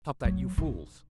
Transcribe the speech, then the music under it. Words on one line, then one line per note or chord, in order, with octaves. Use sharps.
"Stop that, you fools!"
F#3
D#3